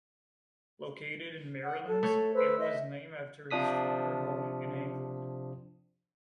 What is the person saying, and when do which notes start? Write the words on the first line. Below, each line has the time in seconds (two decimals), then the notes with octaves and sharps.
Located in Merrylands, it was named after his former home in England.
1.64 F#5
1.87 A4
2.03 A3 C#5
2.35 B4 C5 E6
2.59 D#5 E5
3.51 C3 F3 D4 D#6 B6